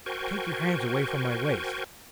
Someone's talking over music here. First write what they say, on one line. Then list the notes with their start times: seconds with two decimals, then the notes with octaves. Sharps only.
"Take your hands away from my waist."
0.06 F#4 A#4 C5 G5 G#5 C#6